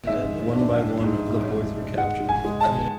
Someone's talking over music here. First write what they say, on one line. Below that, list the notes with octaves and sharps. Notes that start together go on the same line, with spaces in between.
One by one the boys were captured.
G#2 E5
D4
G#2
G#2
G#3 F#5
G#5
G#3
A5